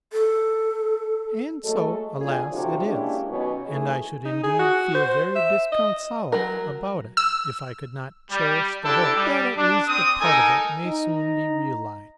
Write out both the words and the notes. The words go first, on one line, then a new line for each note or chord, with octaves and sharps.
And so, alas, it is; and I should indeed feel very disconsolate about it if I could not cherish the hope that at least a part of it may soon be realized.
A4
F#3 G#3 A3 A4
F#3 A#3 D4 F4 G#4
D2 A2 C3 F3 F#4 G4
G#3 A#3 C#4 D4 E4 G4
B2 D#3 F#3 C#4
D#3 E3 A3 G#4
D#4
G#4
F#4
C5
E5
D#5
F#3 A#4
E6
G3
D4 E4 G4 A4
G3
D4
C4 D#6
D#4 A4 A#4 G#5
D#4 A#5